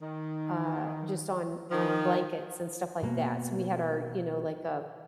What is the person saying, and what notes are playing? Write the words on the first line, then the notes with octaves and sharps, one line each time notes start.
uh, just on, uh, blankets and stuff like that, so, we had our, you know, like, a
D#3
D#3 F3
B2 A#3